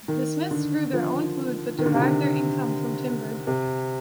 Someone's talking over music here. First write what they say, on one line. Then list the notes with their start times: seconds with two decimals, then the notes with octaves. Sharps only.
The Smiths grew their own food but derived their income from timber.
0.08 D#3
0.51 D3
0.93 F3
1.78 D#3
1.86 D3
1.94 C3
2.02 D3
3.47 C3